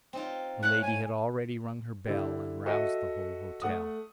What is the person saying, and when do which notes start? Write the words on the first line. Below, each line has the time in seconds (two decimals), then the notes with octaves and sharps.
Milady had already rung her bell, and roused the whole hotel.
0.13 C4 D#4 F4
0.63 A3 C#5 F#6
0.82 G#5
2.07 D3 E4 G4
2.66 F#4 A4 D#5 E5
3.62 A3 F#5 D#6